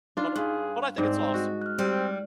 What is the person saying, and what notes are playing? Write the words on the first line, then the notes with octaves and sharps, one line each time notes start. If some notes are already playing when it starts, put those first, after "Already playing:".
But but I think it's awesome.
D4 D#4 F4
G2 G#4 F5 C6 F#6
G#2 C4 D5
F#4 D#5
F6 F#6
G3 C4